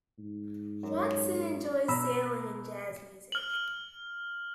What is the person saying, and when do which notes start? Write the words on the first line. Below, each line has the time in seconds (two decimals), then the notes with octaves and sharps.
Watson enjoys sailing and jazz music.
0.18 G#2
0.83 F#2
1.88 B2 A#5 B5 E6
3.32 F6 F#7